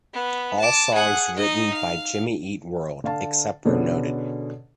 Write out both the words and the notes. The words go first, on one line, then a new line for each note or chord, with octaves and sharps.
All songs written by Jimmy Eat World, except where noted.
B3
A5 D6
G#4 F#5
D#4 D#5
F5
D3 F5 A5
B2 D3 B3 C#4 G#4 A4